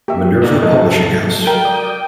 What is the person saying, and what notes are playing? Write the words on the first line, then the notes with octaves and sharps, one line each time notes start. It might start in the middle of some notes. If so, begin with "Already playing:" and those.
Minerva Publishing House.
A#3 G4 E5
C2 G#2 D5
F#3 D#4 A4
A#4 G5
D5 D#6 G6